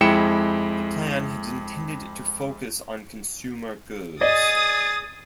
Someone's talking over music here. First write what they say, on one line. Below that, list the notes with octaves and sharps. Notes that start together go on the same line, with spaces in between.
The plan had intended to focus on consumer goods.
F2 G#3 E4 G5 C#7 E7
G#4 D5 D#5 D#6 A6